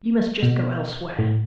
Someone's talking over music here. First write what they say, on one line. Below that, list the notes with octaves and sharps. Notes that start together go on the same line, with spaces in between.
You must just go elsewhere.'
B2
A2